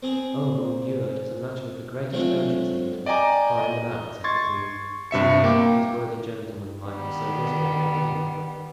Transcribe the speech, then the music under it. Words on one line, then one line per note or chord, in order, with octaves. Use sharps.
"Oh, mon Dieu, it is a matter of the greatest urgency to find them out," said the queen, "since you think these worthy gentlemen might be so useful to the king."
C4 G#4 A#5
F#3 G#3 A3 C4 D4 F4
D5 D#5 G5 G#5 A#5 D6
D#5
C6 C#6 G#6 A6
G2 C3 E5 C#7
A#3 G5 D6
D#3 G3 B3